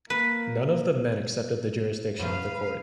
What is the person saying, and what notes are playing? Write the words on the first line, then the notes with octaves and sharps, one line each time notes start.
None of the men accepted the jurisdiction of the court.
A#3 B4
F#2 F3 B4 F5